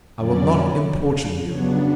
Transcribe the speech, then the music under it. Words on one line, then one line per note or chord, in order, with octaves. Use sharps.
I will not importune you.
F2 D3 F#3 C#4 D5
C#3 F#3 B3 D4 C#5